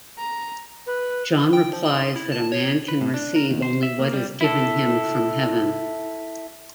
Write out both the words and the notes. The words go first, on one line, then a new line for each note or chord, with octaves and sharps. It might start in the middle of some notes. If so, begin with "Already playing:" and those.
John replies that A man can receive only what is given him from heaven.
A#5
B4
G5
F3
C6
E4
A5
C#5
B4
A2
D4
A#4
D#2
C5
E5
A#3
G3
E4 A4